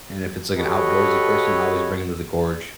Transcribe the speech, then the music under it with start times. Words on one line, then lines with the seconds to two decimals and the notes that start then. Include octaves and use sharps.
and if it's, like, an outdoorsy person, I always bring ‘em to the gorge,
0.58 F#4 G4 A4 B4 C#5 D#5